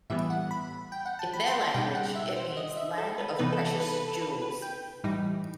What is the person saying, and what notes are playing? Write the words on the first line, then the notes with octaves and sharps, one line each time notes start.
In their language it means "land of precious jewels".
A2 E3 G3 B3 E5
F#5
B5
G5
F#5
A5
B5
C6
B2 G3 D#4 G5
F#5
E5
C5
D#5
E5
A4
B4
C3 E3 B3 D#4 B4
A4
A4
B4
B4
A4
B4
B4
G5
A2 E3 G3 D#4